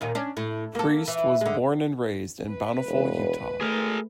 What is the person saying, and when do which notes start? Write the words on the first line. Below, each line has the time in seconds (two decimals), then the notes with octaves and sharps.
Priest was born and raised in Bountiful, Utah.
0.01 D#2 A#2 D#3
0.15 C#4 D4
0.37 A2
0.75 A#3 A4
1.08 E3
1.41 D3 G#3
2.49 B4
2.86 E1
3.61 A3 G#4 A#4